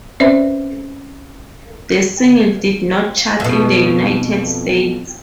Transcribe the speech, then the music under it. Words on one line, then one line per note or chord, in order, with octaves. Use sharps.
The single did not chart in the United States.
C4 C#4 B4 C5 D5 E5
F2 B2